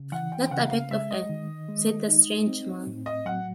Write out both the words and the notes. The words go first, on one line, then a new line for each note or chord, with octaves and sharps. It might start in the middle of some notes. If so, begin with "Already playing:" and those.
"Not a bit of it," said the strange man.
Already playing: C#3
E3 F#5
G5
G5
C#3 F#5
F5
G#3 E5
D#5
D#3
G#3
D#4
C4
A2
D#5
F#3 F#5